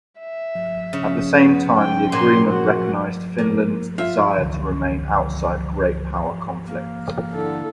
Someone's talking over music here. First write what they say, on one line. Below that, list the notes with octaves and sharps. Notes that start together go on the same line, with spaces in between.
At the same time, the agreement recognized Finland's desire to remain outside great-power conflicts.
E5
C#3
B3
G5
A#2 F#3 C6
F#4
A#3
F4 E5
C#2 D3 E3
A#3
D3 E4 A4